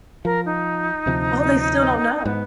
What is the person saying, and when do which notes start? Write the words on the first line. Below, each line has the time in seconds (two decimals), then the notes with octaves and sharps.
Oh, they still don't know.
0.25 F3 A#4
0.46 D#4
1.06 D2 C3 F3
2.26 G#2 B3